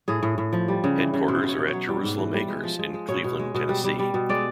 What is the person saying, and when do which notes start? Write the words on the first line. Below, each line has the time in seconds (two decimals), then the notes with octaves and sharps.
Headquarters are at "Jerusalem Acres" in Cleveland, Tennessee.
0.08 A2 G#4
0.23 A2
0.38 A2
0.53 F3
0.68 G3
0.84 C#3
0.98 E3
1.14 C#3
1.28 B2 C5
1.43 B2
1.49 C#5
1.58 B2
1.68 C#5
1.73 F#3
1.88 G3
2.03 G#2
2.18 E3
2.33 G3
2.48 G#3
2.63 F3
2.79 G#3
2.94 G#3
3.08 B2 C#5
3.24 B2
3.39 G#3
3.55 B2
3.69 G3
3.84 G3
3.99 G3
4.14 B2
4.29 G#3 D5